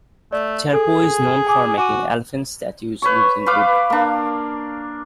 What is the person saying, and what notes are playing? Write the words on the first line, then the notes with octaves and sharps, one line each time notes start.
Cherpu is known for making elephant statues using wood.
A3 D5
G#4 A4
G#5 D6 D#6
F#4 G#5 D6 D#7
B4 C#5 C#6
B4 F5 D6
A#3 D4